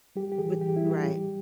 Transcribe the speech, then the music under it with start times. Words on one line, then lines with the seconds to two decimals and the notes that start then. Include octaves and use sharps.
With right.
0.16 G3 G4
0.32 G4
0.38 E3 G#4
0.61 E3 G4
0.76 E4
0.83 G3
0.91 G4
1.07 G3